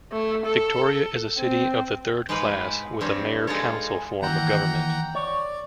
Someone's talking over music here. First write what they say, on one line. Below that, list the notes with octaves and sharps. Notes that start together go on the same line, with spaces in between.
Victoria is a city of the third class with a mayor-council form of government.
A3
A4
C4
G#2 G#3 G4 B4 F5 B5
G2 C4 D4 C#5
G#3 D#4 F4 A4 C#5
D#2 E3 F#5 G5 A#5
C#5 D5